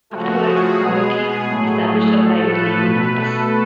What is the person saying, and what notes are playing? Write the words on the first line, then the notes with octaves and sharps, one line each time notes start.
Afterwards, Aoki established a private legal practice.
C#3 F3 A3 F#4
G#4
B2 G#3 B3 G#4
A2 F#3 A3
A2 F3 A3 A4
B4
B2 A3
A4